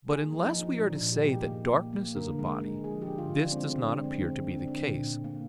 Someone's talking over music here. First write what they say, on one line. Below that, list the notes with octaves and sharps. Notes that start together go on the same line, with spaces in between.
But unless we are to say that darkness is a body, this does not appear to be the case.
A#3 G#4
F3
D#4
F3
A#2 D4
D#4
A#2
G4
A#3 G4
G#4
A#3
A#3
A#3
D3 A#4
G#3
G#3
F3 G#4
G4
D3
F4
D3
D4
G#3 C4
C4
D3
D4
G#3
C4
D3 C4
D3
C4
D4
D3
A#2
A#2
A#3